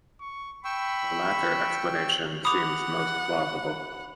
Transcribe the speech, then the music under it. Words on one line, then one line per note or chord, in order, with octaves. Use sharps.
The latter explanation seems most plausible.
C#6
G5 B5 C#6 E6
F#5 B5 D6 D#6 F7